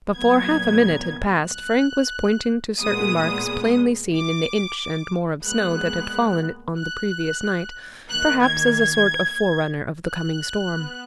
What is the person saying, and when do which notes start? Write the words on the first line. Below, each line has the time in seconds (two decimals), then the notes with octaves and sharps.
Before half a minute had passed, Frank was pointing to certain marks plainly seen in the inch and more of snow that had fallen on the previous night, perhaps as a sort of forerunner of the coming storm.
0.16 A#2 F#3 B3 G#6
1.49 F#6
2.80 A#2 G#3 B3 D#6
4.13 D6
5.45 A#2 G#3 B3 F#6
6.78 F#6
8.10 D#3 A#3 F#6
8.43 G#6
10.08 F#6
10.75 B3